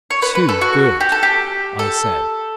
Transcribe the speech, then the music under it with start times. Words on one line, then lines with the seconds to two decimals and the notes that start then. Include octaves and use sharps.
"Too good," I said.
0.10 C#5
0.22 B4
0.35 B4
0.49 A4
0.61 F#4
1.00 G4
1.12 A4
1.23 G4
1.79 A4